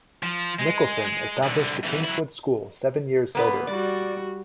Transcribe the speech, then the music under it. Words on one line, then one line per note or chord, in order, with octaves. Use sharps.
Nicholson established the Kingswood School seven years later.
F3
G#3
G#3
C2 D3
B1 E3
F#3 E4
A#3 B3 B4
G3 F#4 D5